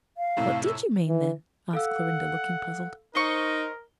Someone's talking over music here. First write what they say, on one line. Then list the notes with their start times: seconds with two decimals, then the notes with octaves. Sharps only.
"What did you mean, then?" asked Clorinda, looking puzzled.
0.17 F5
0.37 F2 A2 C3
1.08 E3
1.73 A4 F5 F#5 E6
3.15 D#4 A#4 C5 D#5 C#6 G7